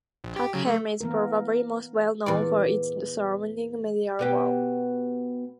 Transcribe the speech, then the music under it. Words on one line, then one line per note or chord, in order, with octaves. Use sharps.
Turckheim is probably most well known for its surrounding medieval wall.
A#1
G4
C#3 F#3
A3
E3 A#3 B3 A#4
E2 A#2 D5
B2 B3 G4